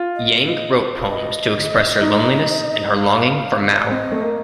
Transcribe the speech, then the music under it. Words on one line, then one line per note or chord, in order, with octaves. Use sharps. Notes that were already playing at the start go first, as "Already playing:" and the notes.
Yang wrote poems to express her loneliness and her longing for Mao.
Already playing: F4
D#5
D#5
C5
F5
D#5
D#4
F5
D5
C4 D#5
A3
A#3